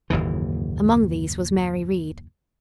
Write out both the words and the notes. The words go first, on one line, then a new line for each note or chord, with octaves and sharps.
Among these was Mary Read.
F#1 D#2 G#2 E3